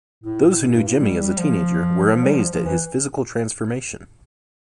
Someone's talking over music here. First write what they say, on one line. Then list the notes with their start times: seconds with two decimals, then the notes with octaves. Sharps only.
Those who knew Jimmy as a teenager were amazed at his physical transformation.
0.24 A2
0.62 B2
0.75 G2
0.87 A2
1.00 G3
1.20 G3
1.38 F3
2.14 F3
2.23 G3
2.34 F3
2.52 F3
2.64 E3